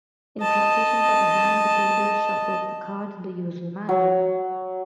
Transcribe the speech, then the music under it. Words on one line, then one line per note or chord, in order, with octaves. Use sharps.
In preparation for the hand the dealer shuffles the cards in the usual manner.
D#5 A5
F#3